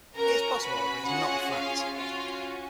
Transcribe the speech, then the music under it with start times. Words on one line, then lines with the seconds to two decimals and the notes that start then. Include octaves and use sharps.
It is possible however it is not a fact.
0.15 C#4 F#4 A#4 A#5
0.60 B4 B5
1.05 C#4 F4 F#4 G#4 F#5
1.51 F4 F5
1.96 C#4 F4 F#4 F5